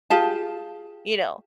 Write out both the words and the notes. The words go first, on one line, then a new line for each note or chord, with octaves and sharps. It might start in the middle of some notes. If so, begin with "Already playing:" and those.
you know,
F4 G4 G#4 A5